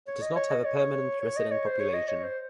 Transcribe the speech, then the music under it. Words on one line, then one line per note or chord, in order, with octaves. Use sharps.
It does not have a permanent resident population.
C#5
D#5
C#5
D#5
C#5
C#5
D#5
C#5
C5
C#5
D#5
C#5
C5